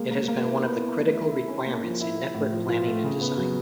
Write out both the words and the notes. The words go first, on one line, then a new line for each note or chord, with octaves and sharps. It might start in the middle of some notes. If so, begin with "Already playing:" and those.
It has been one of the critical requirements in network planning and design.
Already playing: G#3 A#3
A#3
A#3
E4
B3
E4
A3
E4
E4
C#4
A#3
F3
E4
E4
A2
F3
F4
A3
C#3
B3
F#3